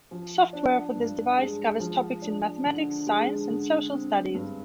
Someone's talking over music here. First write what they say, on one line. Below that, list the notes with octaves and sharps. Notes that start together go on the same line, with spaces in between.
Software for this device covers topics in mathematics, science, and social studies.
F3
D4
G2
G#3
F3
D4
D3
G#3
D3
C4
G2